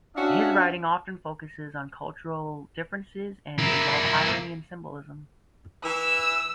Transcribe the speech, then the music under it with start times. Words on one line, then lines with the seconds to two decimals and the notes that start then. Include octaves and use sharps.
His writing often focuses on cultural differences and involve irony and symbolism.
0.15 C#4 D4 E4 F#4 E5 F5
3.59 A#3 E4
5.84 E3 E6